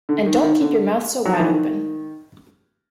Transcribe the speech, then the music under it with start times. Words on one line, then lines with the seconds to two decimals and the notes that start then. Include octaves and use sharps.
And don’t keep your mouth so wide open!
0.09 D3
0.26 D#3
0.43 D#3
0.61 D3
1.25 F#3
1.33 F3
1.40 E3
1.47 D#3